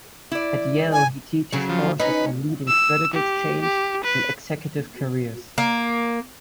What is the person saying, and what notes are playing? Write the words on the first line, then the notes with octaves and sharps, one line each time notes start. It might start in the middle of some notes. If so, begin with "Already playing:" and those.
At Yale he teaches courses on leading strategic change and executive careers.
E4 D5
G#5
C#3 F#3
F3
C#4 D#4 B4
E6
G4
G4
B4
A#3